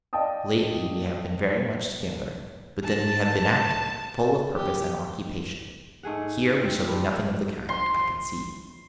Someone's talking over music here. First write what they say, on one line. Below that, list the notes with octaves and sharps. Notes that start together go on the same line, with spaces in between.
Lately we have been very much together, but then we have been active, full of purpose and occupation: here we shall be nothing of the kind, I can see.
D5 D#5 F5 G5 A5 D#6
A5
G4
G#2 A3 G#4 F#5
C4 F4
F3 G3
C6